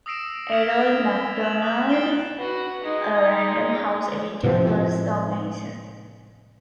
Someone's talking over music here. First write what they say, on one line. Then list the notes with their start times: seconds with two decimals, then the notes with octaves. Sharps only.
Erroll McDonald, a Random House editor, was the organizer.
0.06 D#6 E6 A#6 C7 D7 E7
0.51 D#6 F6 G#6 B6 D7
0.69 F6 G#6 A6 F7
1.41 E7 F#7
1.62 D#6 F#6
1.89 A6 C7 D7 E7 G7
2.38 F#4 B4
2.85 G#3 D#4
4.43 A2 C3 F3